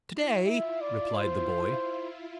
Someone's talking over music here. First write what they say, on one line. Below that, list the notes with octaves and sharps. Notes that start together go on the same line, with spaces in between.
"To-day!" replied the boy.
E4
F4 E5
D5
C5